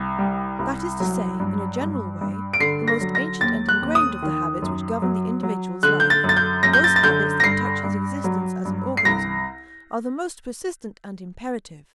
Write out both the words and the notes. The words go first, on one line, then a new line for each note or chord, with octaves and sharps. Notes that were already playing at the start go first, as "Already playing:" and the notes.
That is to say, in a general way, the most ancient and ingrained of the habits which govern the individual's life--those habits that touch his existence as an organism--are the most persistent and imperative.
Already playing: C2
G3
C2
F#3
G2
G2
G2
D7
D3 C7
A#6
F#3
A#6
D#2 A6
F#6
D#2
D#6
D#3
F#2
F#3
F#3
D3 F#6
G6
A6
F#2
A6
G6
F#2 A#6
G6
A6
A6
D3 G6
A#6
G2 C7
G2
F#3
G2
C7
C2 A#6